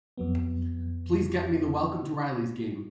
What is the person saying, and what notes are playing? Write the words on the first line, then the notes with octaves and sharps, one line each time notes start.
Please get me the Welcome to the Rileys game.
F2 F#3 B3